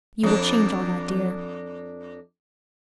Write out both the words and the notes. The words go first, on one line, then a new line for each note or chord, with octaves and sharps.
You will change all that, dear.
F2 D4